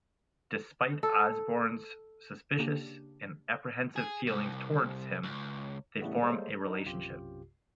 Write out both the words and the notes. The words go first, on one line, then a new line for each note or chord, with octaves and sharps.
Despite Osborne's suspicious and apprehensive feelings towards him, they form a relationship.
A4
C#3 A#3 D4 G4
G#4
C2
C#2
A2 C#3 E3 G3 A3 B3
G3 G#3 A#3 A4 C5 C#5
D4 D#4
B1 F#2 C3 F4 G4